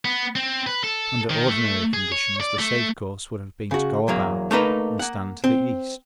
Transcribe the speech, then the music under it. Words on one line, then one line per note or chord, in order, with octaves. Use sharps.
Under ordinary conditions the safe course would have been to go about and stand to the east.
B3
C4
B4
A4
D#3
A3
G#4
C#5
D5
A3
C#3 F#4
E2 F#3 A#3
A3 A#3 D#4 B4
A#3 F#5
C4